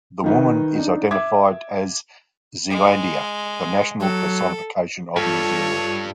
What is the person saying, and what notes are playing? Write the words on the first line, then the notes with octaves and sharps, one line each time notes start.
The woman is identified as Zealandia, the national personification of New Zealand.
D#3 D#4 B4
D4 D#4
E5 D6 G#6
G#3
F#3 A4
G2 F4 A4 C#5